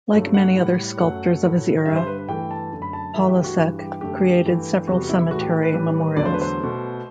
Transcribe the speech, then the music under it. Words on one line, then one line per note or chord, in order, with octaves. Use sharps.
Like many other sculptors of his era, Polasek created several cemetery memorials.
G2 F#3 A3
F#5
A2 G3
F#2 F#3 A3 F#5
A2 F#3 A3
G2 D3 G3 E5
C5
B4
B4
G2 E3 A3 G5
A5
F#2 D3 A3
B5
A5
G2 E3 A3 E5
G4
F#4
G2 E3 G3
G4
F#2 D3 A3 G4
G2 E3 A3
E2 C3 G3 F#4
E4
A2 E3 A3 F#4
G4
B4
A2 E3 G3
E2 D3 F#3 A3 D5
C5
B4
C5
B2 A3